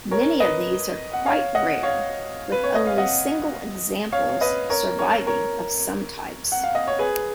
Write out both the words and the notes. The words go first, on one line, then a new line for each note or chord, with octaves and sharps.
Many of these are quite rare, with only single examples surviving of some types.
A#4 C#5
B4 D#5
F#5
C#5 F5
D#5 F#5
C#5 F5
B4
C#5
D#5
F5
D#5 F#5
C#5 F5
C#5
B4 D#5
A#4 C#5
A#4 C#5
A#4 C#5
F#5
F5
D#5
C#5
G#4 B4